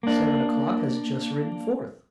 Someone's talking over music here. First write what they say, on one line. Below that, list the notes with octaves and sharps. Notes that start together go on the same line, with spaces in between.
Seven O'clock has just ridden forth.
A#3 D4